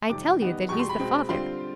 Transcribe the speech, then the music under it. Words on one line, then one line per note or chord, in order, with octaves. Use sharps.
"I tell you that he's the father."
F2 C3 D#3 G3 D6
D#3 G3 B3 D#4
E2 B2 G3 C#6
C6
B5
B2 G#3 C4
D3 G3 C4 F4 C6